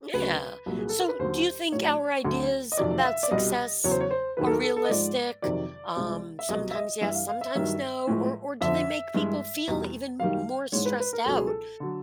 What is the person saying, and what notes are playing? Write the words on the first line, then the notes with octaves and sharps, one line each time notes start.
Yeah. So, do you think our ideas about success are realistic? Um, sometimes yes, sometimes no? Or or do they make people feel even m more stressed out
D2 C#3 F#3 B4
C2 A#2 F#3
G#4
A4
A#4
B4
D#2 D3 F#3 C5
A2 F#3 C#5
D2 D3 F#3
D#5
F2 C3 D#3 F#3 D5
F5
E5
D5
C2 B2 G3 D#5
E2 C#3 F#3 C#5
C5
C#5
C5
D#2 D#3 F#3 B4
A4
A#4
A4
A4
D#5
G#2 F3 G#3 D5
F2 C3 D#3 F#3 D5
C2 C3 F3 G#3
E5
C2 B2 F#3 D#5
E5
D#5
G2 E3 G3 E5
F5
F5
E5
G2 D#3 F#3 E5
A2 F3 G#3
F2 D3 F3 E5
G2 E3 G#3
E2 B2 G3
F#2 D#3 G3 F5
G#2 E3 G#3 C#5
B4
B4
A#4
C#2 B2 F#3 A4
G#4
A4
D3 F#3